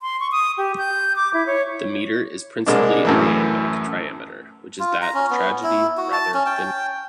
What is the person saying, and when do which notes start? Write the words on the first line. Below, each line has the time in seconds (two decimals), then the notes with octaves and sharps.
The meter is principally iambic trimeter, which is that of tragedy rather than comedy.
0.02 C6
0.20 C#6
0.32 D#6
0.58 G4
0.78 G6
1.16 D6
1.34 E4
1.46 C#5
2.66 C2 G#3 A#3 D4
3.05 F#2 A2 E3
4.80 F4
5.02 A#5
5.14 C#4
5.30 B3
5.63 E4
5.97 F#4
6.13 A5
6.34 C#4
6.46 G5